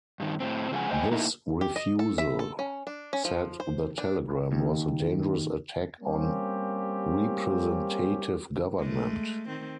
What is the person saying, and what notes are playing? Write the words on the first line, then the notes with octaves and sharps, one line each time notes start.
This refusal, said the telegram, was a dangerous attack on representative government.
G2 D#3
A2 C#3 C4
C#3 F3 G#3 F4 F#5 G#5
A2 C5 D#5 F5 G5 G#5
A#3 D#4 E4
G4
D#5
A4
E5
A4
C#4
D4
C#4
F3
C5
D4
D#2
G3 A#3 C4 C#4 G4
G#3 A3
D#3 C4